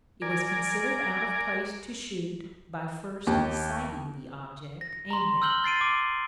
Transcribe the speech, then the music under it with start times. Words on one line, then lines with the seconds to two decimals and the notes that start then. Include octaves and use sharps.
It was considered out of place to shoot by first sighting the object aimed at.
0.22 A#4 D5 G#5
3.27 D#2
4.81 A#6
5.10 A#5 C6
5.42 E6 F6 G6 F#7 G7
5.64 A6 C7 D7 D#7
5.81 D6